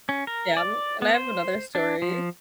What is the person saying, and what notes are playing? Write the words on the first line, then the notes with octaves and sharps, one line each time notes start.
Yeah. And I have another story of
C#4
A#4
D5
B3
C5
D4
F3